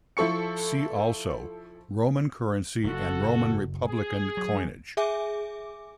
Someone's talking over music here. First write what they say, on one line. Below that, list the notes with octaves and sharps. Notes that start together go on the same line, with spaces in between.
"See also:" Roman currency and Roman Republican coinage.
F3 E4 A4 C#6 C#7
F#1 F#4 A4
G#4
F#3
G#4 E5 G#5 D6